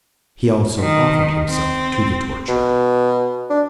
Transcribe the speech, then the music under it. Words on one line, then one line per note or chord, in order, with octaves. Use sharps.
He also offered himself to the torture.
D#3
C4
B2
D4